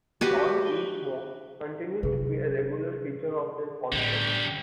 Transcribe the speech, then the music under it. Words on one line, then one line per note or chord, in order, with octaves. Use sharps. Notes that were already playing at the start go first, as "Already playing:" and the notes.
"John E. Smoke" continues to be a regular feature of their concerts.
F#4 G4 B4
C3 F#3 G#4 B4
A2 D3 G3